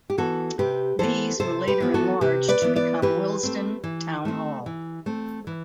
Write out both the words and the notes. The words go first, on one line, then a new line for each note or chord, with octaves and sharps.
These were later enlarged to become Willesden Town Hall.
G4
E3 B3 F#4 A4
C3 G4 B4
E3 B3 A4 C5
C3 A4 C5
G4 B4
E3 B3
F#4 A4
C3 G4 B4
B4 D5
E3 B3
B4 D5
E3 G4 B4
A3 C4
E3
A3 C4
E3
A3 C4
E3